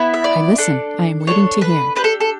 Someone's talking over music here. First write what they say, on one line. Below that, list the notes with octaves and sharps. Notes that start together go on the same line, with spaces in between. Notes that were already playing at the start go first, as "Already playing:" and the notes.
"I listen--I am waiting to hear."
Already playing: B3 E4
E5
D5
D4 A4
D4 F#4 A4 C#5
B4
D4 G4 B4
A4
A4